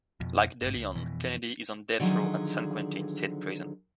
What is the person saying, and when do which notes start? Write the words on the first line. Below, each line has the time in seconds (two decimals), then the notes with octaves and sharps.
Like Deleon, Kennedy is on death row at San Quentin State Prison.
0.20 F2 B2 F3
0.62 G1 G#2
0.73 C#2
0.95 F2 B2 E3
2.00 D3 D#3 F3 F#3 G#4